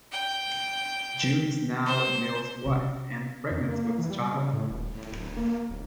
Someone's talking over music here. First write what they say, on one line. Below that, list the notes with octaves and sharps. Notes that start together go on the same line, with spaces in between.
June is now Mill's wife and pregnant with his child.
G5
C5
C3 C#4
F2
A#3
E3
G3
C#3
A2
D#1
A2
D1
A#3
D1